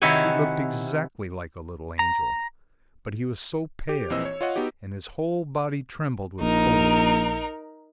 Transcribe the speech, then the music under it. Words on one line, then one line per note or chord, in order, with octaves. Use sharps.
He looked exactly like a little angel, but he was so pale, and his whole body trembled with cold.
C3 D#3 E4 F#4 C#5 G#5
A#5
G4
A#1 E3 C4 D#5 E6
C#5
F4 C#5 D#5 F#5
B3 D#4 F#4 G4
A#1 D#4 A#4